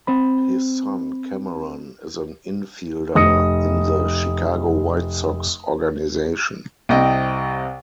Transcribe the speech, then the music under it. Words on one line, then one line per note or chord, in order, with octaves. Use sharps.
His son Cameron is an infielder in the Chicago White Sox organization.
C4 C5 B5
F1 D#6 A#6 C#7
C2 C3 D#5 G5